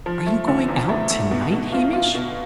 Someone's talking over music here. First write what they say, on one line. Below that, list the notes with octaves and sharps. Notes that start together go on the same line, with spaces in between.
"Are you going out to-night, Hamish?"
F3
A3
D3
E2
A3
A3
B2
B2
F4
F4
B2